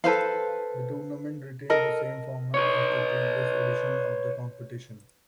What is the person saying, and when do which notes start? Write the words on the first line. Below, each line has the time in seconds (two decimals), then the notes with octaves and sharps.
The tournament retained the same format as the previous edition of the competition.
0.04 A4 B4 C5 F5
1.70 A4 A#4 D#5
2.54 B4 C#5